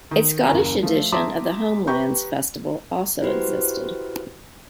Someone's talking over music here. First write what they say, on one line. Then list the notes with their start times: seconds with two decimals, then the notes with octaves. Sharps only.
A Scottish edition of the Homelands festival also existed.
0.11 D#3
0.50 F#1 D#2 C#3 A#5
0.83 F3 A3
1.12 E5 A5 A#5 C6 D6 D#6
1.87 G4 B4 A#5 C#6 G6
3.21 E4 F#4 G4 B4 C5